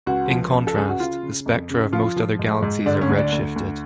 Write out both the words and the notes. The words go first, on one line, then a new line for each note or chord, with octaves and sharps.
In contrast, the spectra of most other galaxies are redshifted.
C#2 F#4
F3
C#2
A4
C#3 G#4
F#4
C#3 F4
C#3
F2
C#3
F3 F4
F3
G#2
G#2
D3 D4
C#4
D2
D4
D2
D2